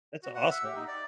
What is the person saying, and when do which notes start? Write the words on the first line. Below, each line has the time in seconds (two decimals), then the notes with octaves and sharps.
That's awesome.
0.23 F#4
0.35 F#5
0.51 E5
0.64 G4
0.76 D#4
0.88 D5